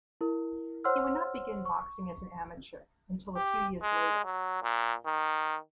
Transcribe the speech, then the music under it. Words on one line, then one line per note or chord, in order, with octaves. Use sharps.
He would not begin boxing as an amateur until a few years later.
E4 A#4
C5 C#5 F#5 C6 E6 F6
C#6
G4
G#3
F#3
A#2
D#3